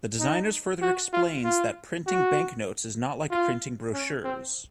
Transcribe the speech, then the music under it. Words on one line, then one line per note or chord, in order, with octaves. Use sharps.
The designers further explains that printing banknotes is not like printing brochures.
D#4
F#4
F4
F4
F#4
F4
C#4
C4